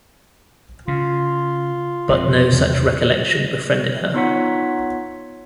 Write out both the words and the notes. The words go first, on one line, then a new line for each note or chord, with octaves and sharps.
But no such recollection befriended her.
C#3 F4
F1 B2 C4
E2 C3 D#3
B3 D#4 F4 C#5 F#5 B6